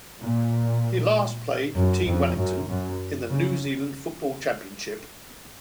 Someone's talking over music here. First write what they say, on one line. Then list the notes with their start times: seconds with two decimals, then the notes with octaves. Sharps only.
He last played for Team Wellington in the New Zealand Football Championship.
0.20 A#2
1.75 F#2
2.07 F2
2.37 F#2
2.69 F#2
3.31 C#3